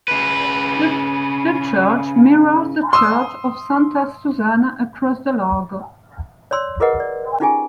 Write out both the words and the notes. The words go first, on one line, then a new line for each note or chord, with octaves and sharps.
The church mirrors the Church of Santa Susanna across the Largo.
C#3 B4
C6 D#6 E6
C#5 D5 C6 E6
F4 G#4 A#4 B4 D#5 F#5
D5
C#4 D#4 F4 G4 G#4 G#5